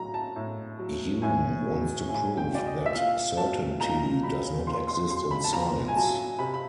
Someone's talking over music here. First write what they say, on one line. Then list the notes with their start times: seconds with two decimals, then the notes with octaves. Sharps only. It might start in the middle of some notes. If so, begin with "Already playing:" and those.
Hume wants to prove that certainty does not exist in science.
Already playing: A2 F#3 A#5
0.14 A5
0.36 A2
0.79 F#3
1.22 A2 G#5
1.65 F#3
2.08 A2 G#5
2.37 G5
2.51 F#3 D5
2.66 D#5
2.86 E5
2.94 A#2 F5
3.37 F#3 A5
3.80 A#2 A#5
4.23 F#3 B5
4.67 A#2 C6
4.88 C6
5.10 F#3 C6
5.31 B5
5.44 A5
5.53 A#2 A#5
5.88 G#5
5.96 F#3 A5
6.39 C3 B5
6.54 B5